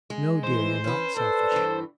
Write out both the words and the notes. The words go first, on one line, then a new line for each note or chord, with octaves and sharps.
'No, dear, you're not selfish....
G#3
E3 C5
E3 C#4 B4
A4 B4 D5
G2 E3